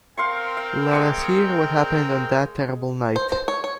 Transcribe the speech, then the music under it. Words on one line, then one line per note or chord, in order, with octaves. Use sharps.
Let us hear what happened on that terrible night.
C4 A#4 F5 G5 C6 C#6
F5
G#3 C#6 D6
C5
C5
C#5
C#5